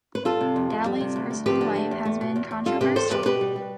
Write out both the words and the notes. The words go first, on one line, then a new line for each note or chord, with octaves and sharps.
Dalle's personal life has been controversial.
B4
G3 F4 A4
C3
F2
F2
G3
C3
D2
D2
F3 G4 B4
D3
A3
E2
A3
B2
E2
E2
G3 F4 A4
C3 G4 B4
E2 A4 C5
E2 G4 B4
B2 G4 B4
G3
G3